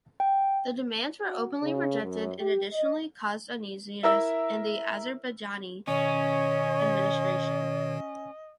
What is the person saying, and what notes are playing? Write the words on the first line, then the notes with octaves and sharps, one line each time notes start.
The demands were openly rejected and additionally caused uneasiness in the Azerbaijani administration.
G5
F#4
C#3
F#2
G4
D#5
E4 A#4 E5 E6
B2 D#3 C#4 C#5 D#5